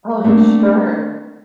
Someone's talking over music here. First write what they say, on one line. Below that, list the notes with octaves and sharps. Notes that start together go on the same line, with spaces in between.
Oh, I'm sure.
A3 A#3 C4 D4